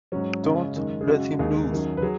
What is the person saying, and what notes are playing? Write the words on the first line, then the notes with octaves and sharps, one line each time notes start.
Don't let him loose!
G#2 F#3 C#4
F#2 C#3 G#3
F#2 D#3 G#3
G#4
F#2 C#3 G#3 F#4
D#2 D#3 G#3 G#4
F#2 D#3 F#3
B4
F#3 G#4